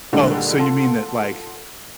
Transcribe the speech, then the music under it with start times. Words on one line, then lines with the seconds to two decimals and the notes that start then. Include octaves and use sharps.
Oh, so you mean that, like,
0.13 A#2 D3 D#3 G3 G#3
0.59 F4 A4 F#5 C6